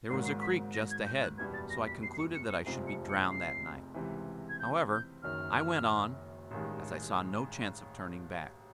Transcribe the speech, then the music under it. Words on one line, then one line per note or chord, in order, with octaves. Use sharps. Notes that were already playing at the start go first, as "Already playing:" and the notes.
There was a creek just ahead, so I concluded that I should be drowned that night; however, I went on, as I saw no chance of turning back.
G#1 G#2 D#3 F#3 A#3 C7
C7
B6
A#6
G#6
G6
F#6
F#1 E2 B2 G3 B3 G#6
A6
A#6
B6
C7
C7
C#7
C#7
C#7
F1 F2 C3 F3 G#3 C7
C#7
C#7
C7
C#2 C3 E3
G#6
G6
G6
F#1 F#2 D#3 F6
A1 G2 D#3 G#3